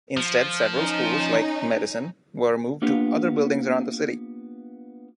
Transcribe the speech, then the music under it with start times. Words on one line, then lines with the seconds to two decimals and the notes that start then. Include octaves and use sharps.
Instead several schools, like Medicine, were moved to other buildings around the city.
0.17 F3
0.77 C#4 D#4
2.82 A#3 B3 D4 F4 G4